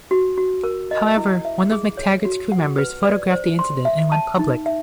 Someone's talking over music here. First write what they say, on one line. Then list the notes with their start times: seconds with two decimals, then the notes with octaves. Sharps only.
However, one of McTaggart's crew members photographed the incident and went public.
0.11 F#4
0.38 F#4
0.64 A#4
0.91 D#5
1.17 E4
1.45 E5
1.71 G#4
1.97 C#5
2.25 F#4
2.52 F#5
2.78 B4
3.04 D5
3.31 C5
3.59 C6
3.85 E5
4.12 A5
4.39 D#4
4.66 E5